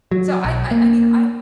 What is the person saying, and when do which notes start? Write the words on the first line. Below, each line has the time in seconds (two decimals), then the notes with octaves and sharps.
so I I I mean, I
0.11 F#3
0.45 B1
0.71 A#3